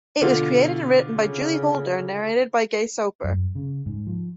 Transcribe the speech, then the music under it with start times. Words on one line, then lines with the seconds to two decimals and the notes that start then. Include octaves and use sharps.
It was created and written by Julie Holder and narrated by Gay Soper.
0.22 B2 D3 F4
1.16 C#3
3.24 F#2
3.55 C#3
3.86 G#2
4.07 F3